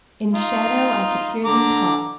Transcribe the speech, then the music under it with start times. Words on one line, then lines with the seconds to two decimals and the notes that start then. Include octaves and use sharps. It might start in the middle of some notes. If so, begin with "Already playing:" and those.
In shadow, I could hear them talk.
0.33 D#4 F4
1.45 D3 A#5 D6